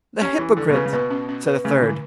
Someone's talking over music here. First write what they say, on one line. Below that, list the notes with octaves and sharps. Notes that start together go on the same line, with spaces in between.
"The hypocrite!" said a third.
C#4 G4
E3 C#4
D3 E4
B2
C#3 B4
C#3
B2 B4
C#4
C#4
B4
C#3 A3
D3 E3